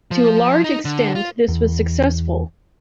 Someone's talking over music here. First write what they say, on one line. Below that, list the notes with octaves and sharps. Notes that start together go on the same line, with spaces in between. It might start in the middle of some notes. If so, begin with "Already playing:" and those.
To a large extent, this was successful.
F3
D#4
D3
F4
E2